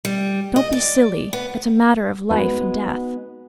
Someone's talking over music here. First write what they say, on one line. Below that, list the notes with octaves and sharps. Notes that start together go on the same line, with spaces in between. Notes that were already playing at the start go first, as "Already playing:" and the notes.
'Don't be silly - it's a matter of life and death.'
G3
D#5
D5
B3
G#3 B3 D#4 F#4 B4